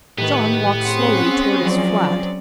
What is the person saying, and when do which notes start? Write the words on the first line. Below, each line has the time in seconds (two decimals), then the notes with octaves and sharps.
John walked slowly toward his flat.
0.18 A2 D#3 B3 G4 B4
0.81 C4 C#4 G#4 F#5 C6
1.63 F3 F#3 D5